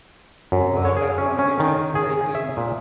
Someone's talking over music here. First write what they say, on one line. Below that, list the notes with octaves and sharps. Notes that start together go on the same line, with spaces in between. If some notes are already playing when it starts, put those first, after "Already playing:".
Uganda competed in cycling.
F#2
C#5
G#4
C#4
C#4
D#3
G#4
E5
A#2